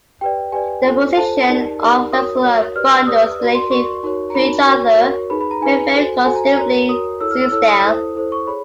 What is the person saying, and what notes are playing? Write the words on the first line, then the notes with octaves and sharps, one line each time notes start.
The position of vascular bundles relative to each other may vary considerably: see stele.
G4 B4 D5 G5
G4 B4 D5 G#5
F4 A4 C5
F4 A4 C5 A5
D#4 G4 A#4 D5
D#4 G4 A#4 D5
F#4 A#4 C#5 D#6
F#4 A#4 C#5
G4 B4 D5 F6
E6
G4 B4 D5 D#6
F#4 A#4 D5
C6
F#4 A#4 D5 C#6
D#4 F#4 A#4 C#5
A#5
D#4 F#4 A#4 C#5 B5
F#4 A#4 C#5 C#6
F#4 A#4 C#5
D#4 G#4 B4 B5
B5
A#5
D#4 G#4 B4 G#5
F#4 A4 C5
F#4 A4 C5 G#5
A#5
G#5
F#4 A#4 C#5 A#5
F#4 A#4 C#5 D#6
E4 A4 C#5 E6
F6
E6
E4 A4 C#5 E6
D#6
E4 A4 C5
E4 A4 C5
C#6
G#4 C#5 B5